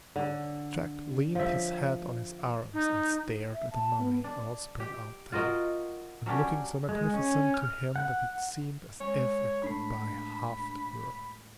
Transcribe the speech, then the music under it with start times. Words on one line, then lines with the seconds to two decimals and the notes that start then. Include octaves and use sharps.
Jack leaned his head on his arms and stared at the money, all spread out there, and looking so magnificent to him that it seemed as if it could buy half the world.
0.16 D3
1.35 F3 E5
2.73 D#4
3.53 E5
3.71 A5
3.99 B3
4.24 D4
4.80 G4
5.32 F4 F#4 A#4 D#5
6.26 F#3 C#4 D4 G4
6.89 G#3
7.14 C#4
7.54 F6
7.96 F#5
9.00 G#3 C#5
9.63 A2 A3 D4 B5